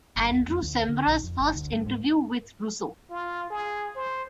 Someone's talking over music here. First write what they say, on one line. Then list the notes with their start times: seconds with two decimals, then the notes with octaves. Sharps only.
Andrew Sciambra's first interview with Russo.
0.17 G1
0.31 D#2
0.48 F2
0.63 D2
0.88 D3
1.08 A#1
1.23 F2
1.40 G1
1.55 D2
1.72 G2
1.86 G#2
3.10 F4
3.50 G#4
3.96 C5